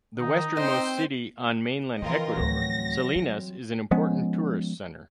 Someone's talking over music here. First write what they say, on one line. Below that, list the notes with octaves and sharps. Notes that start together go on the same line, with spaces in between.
The westernmost city on mainland Ecuador, Salinas is an important tourist center.
D#3 D#4
C4 C5 D#5 G5
C#3 E3 F3 C4 F4 A#4 D#5
D2 A2 F#3 A#6
G3
F3 G#3 B3 C#4